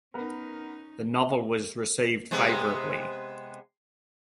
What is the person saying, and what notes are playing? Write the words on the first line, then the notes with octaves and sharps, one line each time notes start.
The novel was received favorably.
B3 C#4 D#4 A#4
C3 G#3 B3